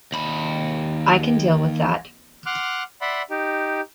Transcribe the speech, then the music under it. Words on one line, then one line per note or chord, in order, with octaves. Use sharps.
I can deal with that.
D#2 B5
F#5 C6 D6 F6 F#6
D5 E5 F#5 B5 C6
D#4 G4